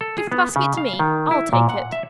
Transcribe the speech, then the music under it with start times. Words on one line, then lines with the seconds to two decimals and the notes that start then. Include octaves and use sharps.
'Give the basket to me,--I'll take it.'
0.01 A4
0.18 G#4
0.32 B3
0.56 C#3
0.77 F5
0.99 D#3
1.31 E4
1.53 A#2
1.69 F#5
1.92 E5